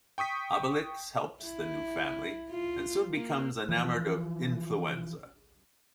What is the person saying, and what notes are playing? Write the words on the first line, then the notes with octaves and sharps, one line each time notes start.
Obelix helps the new family and soon becomes enamored of Influenza.
G5 C#6 D#6 B6
E4
F4
A#3
E3 F3